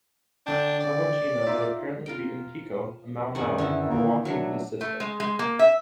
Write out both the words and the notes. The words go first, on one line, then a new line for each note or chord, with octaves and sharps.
Lavonchino had apparently beaten Tico, a Mau Mau, for walking with his sister.
D3 D4 G5
D5
D#4 F4 E5
F4 A#4 G5
F#2 D#3 C4 G#4 F#5
D3 E3 E4
A#3
F#3 A3 D4 C#6
A3
G#3
G#3
A#3
E5